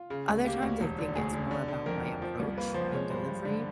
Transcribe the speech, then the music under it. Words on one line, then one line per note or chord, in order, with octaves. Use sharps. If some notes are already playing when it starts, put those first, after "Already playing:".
Other times, I think it's more about my approach and delivery.
Already playing: F4
C#3
D2
A#3 G4
D2
E1
D3
D2 G#4
D3
D3
D3
F2 A#4
F2
F3
C2
A#3 B4
F3 C5
G#3 C#5
G2 C5
G2
D3